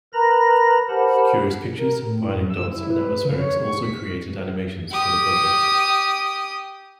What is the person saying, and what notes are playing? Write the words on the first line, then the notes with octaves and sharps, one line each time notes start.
Curious Pictures, Bionic Dots, and Atmospherex also created animations for the project.
A#4 B4 A#5 B5 A#6
G4 A#4 C5 F#5 A5 B5
A#4
A2
F#2
E6
E4
B4
B4
C#3
C#5
C#6
B6
G4 D#6